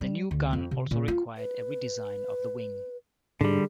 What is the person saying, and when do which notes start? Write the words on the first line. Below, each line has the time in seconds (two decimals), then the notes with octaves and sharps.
The new gun also required a redesign of the wing.
0.01 G3
0.31 D2
0.53 F2
0.71 C3
0.91 A#2
1.08 F4
1.37 B4
3.41 G#2 D3 G3 C#4 D4 G#4